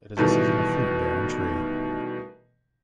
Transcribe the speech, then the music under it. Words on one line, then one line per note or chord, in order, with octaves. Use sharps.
It is a seasonal fruit bearing tree.
B2 D#3 E3 G3 A3